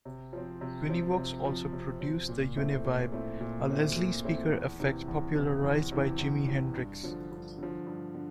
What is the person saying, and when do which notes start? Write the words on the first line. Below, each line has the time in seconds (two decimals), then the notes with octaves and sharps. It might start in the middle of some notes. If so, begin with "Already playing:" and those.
Univox also produced the Uni-Vibe, a Leslie speaker effect popularized by Jimi Hendrix.
0.05 C3
0.33 F3 C4
0.61 C3
0.89 F3 C4
1.17 C3
1.45 F3 C4
1.73 C3
2.01 F3 C4
2.29 A#2
2.57 A3 C4 E4
2.85 A#2
3.12 A3 C4 E4
3.41 A#2
3.68 A3 C4 E4
3.96 A#2
4.24 A3 C4 E4
4.52 E2
4.80 C3 E3
5.08 E2
5.35 C3 E3
5.64 E2
5.92 C3 E3
6.19 E2
6.46 C3 E3
6.76 G2
7.03 D3 F3
7.31 G2
7.58 D3 F3
7.86 G2
8.14 D3